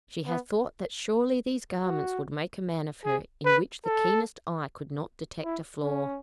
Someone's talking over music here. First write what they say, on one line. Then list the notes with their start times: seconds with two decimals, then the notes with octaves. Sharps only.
She had thought that surely these garments would make a man of her in which the keenest eye could not detect a flaw.
0.27 B3
1.85 F#4
3.05 G#4
3.45 B4
3.85 A4
5.44 E4
5.83 C#4